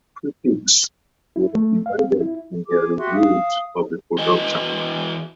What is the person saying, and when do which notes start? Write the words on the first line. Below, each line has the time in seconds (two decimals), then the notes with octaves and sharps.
Critics were divided in their reviews of the production.
1.36 E4
1.55 A3
1.86 F5
1.98 C4
2.20 E4
2.67 G#4 D6
2.97 F#4 G4 E5 C6
3.13 F5 D#6
4.18 E2 E3 F#4 B4 D#5 G#5